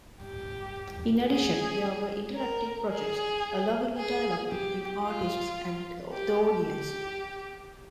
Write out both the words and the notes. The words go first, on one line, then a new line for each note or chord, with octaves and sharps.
In addition, there were interactive projects, allowing a dialogue between artists and the audience.
G4
G#4
A#4
G#4
G#4
G4
F4
G4
G4